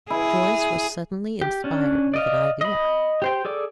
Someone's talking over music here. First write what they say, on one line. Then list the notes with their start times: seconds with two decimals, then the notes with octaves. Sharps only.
Joyce was suddenly inspired with an idea.
0.10 E4 G#4
1.41 G4
1.64 C#4 D4
2.14 D5 D#5 F5
2.61 D#5 B5
3.22 G4 C5 G5
3.45 G#4 A4 D5 D6